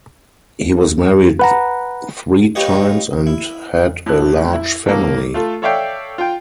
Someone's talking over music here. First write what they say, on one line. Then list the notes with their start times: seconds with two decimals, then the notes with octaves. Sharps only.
He was married three times and had a large family.
1.39 B4 F#5 A#5
2.55 D#4 F4 G4 B4 C#5 D#5
3.27 E4
4.06 A2 F#6
4.53 E4
4.86 A2 A#3
5.34 A3 F4 A4
5.62 A4 C#5 D5 E5 F5 G5
6.18 F4 G5